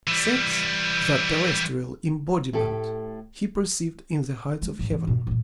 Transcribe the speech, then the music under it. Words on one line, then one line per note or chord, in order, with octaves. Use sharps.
Sex, that terrestrial embodiment, he perceived in the heights of heaven.
E3 G3
A2 G4 A4
G#3 D4
G#2 F#3
E3
G2 B2
G2 A#2